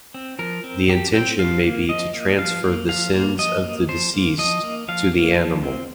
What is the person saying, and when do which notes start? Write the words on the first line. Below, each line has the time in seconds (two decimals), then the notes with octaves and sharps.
The intention may be to transfer the sins of the deceased to the animal.
0.14 C4
0.39 F3 A#4
0.64 C4
0.89 F3 G4
1.14 C4 G5
1.39 F3 F5
1.64 A#3
1.89 F3 D#5
2.14 A#3
2.39 F3 F5
2.64 A#3
2.89 F3 F5
3.14 A#3
3.38 F3 D#5
3.64 A#3
3.88 F3 C5
4.14 A#3
4.38 F3 D#5
4.64 A#3
4.88 F3 F5
5.13 A#3
5.38 F3
5.63 C4